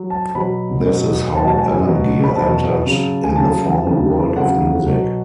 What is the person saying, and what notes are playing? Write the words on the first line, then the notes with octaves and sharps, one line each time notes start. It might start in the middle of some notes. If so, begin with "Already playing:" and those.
This is how Alamgir entered in the formal world of music.
Already playing: F#3
A5
B2 F#3 B5
B2 F#3
B2 F#3 A5
A5
G#5
B2 F#3
B5
B2 F#3 A5
C#3 F#3
G#5
C#3 F#3 A5
C#3 F#3
C#3 F#3 F#5
B2 F#3